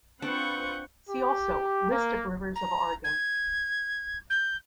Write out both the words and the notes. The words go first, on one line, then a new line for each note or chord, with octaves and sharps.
See also List of rivers of Oregon.
C4 D4 F4 B4 F#5 C#6 G6
G4
A#3
A#5
G#6
G6